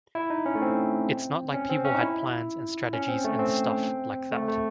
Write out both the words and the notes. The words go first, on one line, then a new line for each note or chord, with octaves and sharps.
It's not like people had plans and strategies and stuff like that.
E4
D#4
C#4
A3
C4
C#4
C4
C#4
D#4
E4
C#4
C4
A3
C4
A3
A3